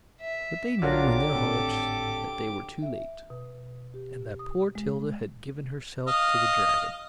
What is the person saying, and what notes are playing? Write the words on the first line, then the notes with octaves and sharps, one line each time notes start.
But they knew in their hearts that they were too late, and that poor Tilda had given herself to the dragon.
E5
A#1 D3 F#3 F4 G4 A#4 D6
G#1 A2 C4 A4
E5
B2
G4
D#6
G#3
D#5 F5